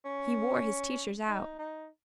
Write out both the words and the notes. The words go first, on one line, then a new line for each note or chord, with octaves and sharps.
He wore his teachers out.
C#4
D#4
D#4